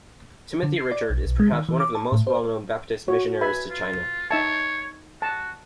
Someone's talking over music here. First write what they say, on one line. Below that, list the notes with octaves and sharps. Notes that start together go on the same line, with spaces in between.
Timothy Richard is perhaps one of the most well-known Baptist missionaries to China.
D3
C7
D5
B1
B1
G#3
D#3
E3
D6
A5
A2
C5
F#4 C#5
B4 E5 G#5 B5
F4
D#4 C#5 E5 A5
F#4 A5